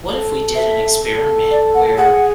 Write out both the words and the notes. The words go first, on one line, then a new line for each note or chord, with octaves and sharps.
what if we did an experiment where
A4
A4 E5
A4
D5
F#5
G#4 F#5